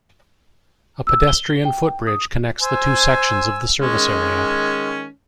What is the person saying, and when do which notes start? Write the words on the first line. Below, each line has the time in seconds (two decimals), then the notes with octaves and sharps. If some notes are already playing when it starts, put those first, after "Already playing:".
A pedestrian footbridge connects the two sections of the service area.
1.07 E6
1.28 G7
1.65 G5
2.07 D#6
2.61 C5 G#5 E6
3.80 D#3 G#3 C#4